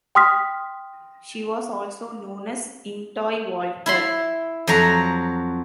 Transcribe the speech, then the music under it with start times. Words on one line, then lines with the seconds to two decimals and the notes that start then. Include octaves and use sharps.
She was also known as Ying-tai Walther.
0.15 G5 C6 D#6 F6 B6
3.86 E4 B5 C6
4.67 F2 F#3 F#4 A#5